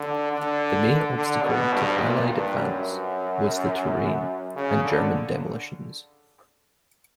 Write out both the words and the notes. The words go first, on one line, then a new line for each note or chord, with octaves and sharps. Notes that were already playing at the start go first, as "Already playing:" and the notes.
The main obstacle to the Allied advance was the terrain and German demolitions.
Already playing: D3
D3
D3
B2
G2
A#2
G2
F#2
C#3
D3